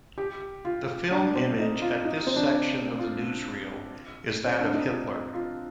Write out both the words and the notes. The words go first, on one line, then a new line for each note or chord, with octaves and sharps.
The film image at this section of the newsreel is that of Hitler.
G4
F4
D4
C4
D#4
F4
D#4
C4
D4
F4
C4
D4
D#4
F4
F4